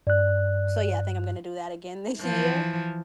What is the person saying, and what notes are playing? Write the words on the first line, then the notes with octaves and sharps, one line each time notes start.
So yeah, I think I'm gonna do that again this year,
G2 D5 F#6
E3 F3